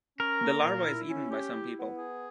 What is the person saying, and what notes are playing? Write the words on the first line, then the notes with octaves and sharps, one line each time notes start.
This larva is eaten by some people.
C#4 A#4
A#3
A#2
E4
C#4
G4
E4
B3
G#4